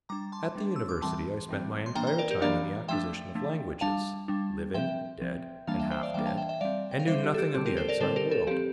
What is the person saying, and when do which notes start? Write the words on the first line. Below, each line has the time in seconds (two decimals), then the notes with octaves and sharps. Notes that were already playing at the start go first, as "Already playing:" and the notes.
At the University I spent my entire time in the acquisition of languages, living, dead, and half-dead, and knew nothing of the outside world.
0.09 G3 D4 A#5 D6
0.32 A5 C6
0.56 G3 D4
0.76 E6
0.89 D6
1.02 E3 G3 C4 A5 C6
1.49 E3 G3 C4
1.86 C6
1.95 E3 A#3 D4 G5 A#5
2.07 G5 A#5
2.18 A#4 D5
2.31 G4 A#4
2.41 E3 A#3 D4 D5 F5
2.88 F3 A3 D4 E5 G5
3.35 F3 A3 D4
3.81 G3 D4 F5 A5
4.28 G3 D4
4.74 F3 C4 E5 G5
5.21 F3 C4
5.67 E3 G3 A#3 D4 F5 A5
5.79 E5 G5
5.91 C5 E5
6.03 D5 F5
6.14 E3 G3 A#3 D4 E5 G5
6.26 F5 A5
6.37 E5 G5
6.49 E5 G5
6.61 G3 C4 D5 F5
6.91 G5
7.00 F5
7.08 G3 C4 C5 E5
7.24 G4
7.34 A4
7.38 G4
7.54 D3 G3 C4 G4
7.66 G4 A#4
7.77 A4 C5
7.89 A#4 D5
8.00 D3 G3 C4 A4 C5
8.16 G4 A#4
8.31 A4
8.47 F3 C4 G4